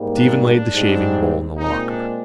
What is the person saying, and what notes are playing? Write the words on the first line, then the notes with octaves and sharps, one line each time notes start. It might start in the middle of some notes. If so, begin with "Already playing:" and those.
Stephen laid the shavingbowl on the locker.
Already playing: G#2 G3 A#3
D4
D4
G#2 G3 C4
A#2 G#3 C4 D#4
D4